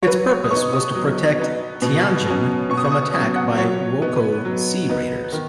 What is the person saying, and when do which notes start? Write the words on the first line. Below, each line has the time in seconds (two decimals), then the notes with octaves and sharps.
Its purpose was to protect Tianjin from attack by wokou sea raiders.
0.03 C#5
0.07 F#3 B4
0.29 C#5
0.44 D#6
0.51 B3 D#4 C#6
0.73 D#6
0.95 F#3
1.39 B3 D#4
1.82 B2
2.26 F#3 C#4
2.70 B2 C#6
2.77 D#6
2.85 C#6
2.92 D#6
3.14 F#3 C#4 D#6
3.36 F#5
3.58 F#3 C#5
4.02 B3 D#4
4.16 B4
4.45 F#3
4.90 B3 D#4
5.33 D#3